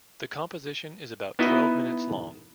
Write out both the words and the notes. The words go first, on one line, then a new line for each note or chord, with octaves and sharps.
The composition is about twelve minutes long.
B3 D#4 E4 F#4 B4 D#5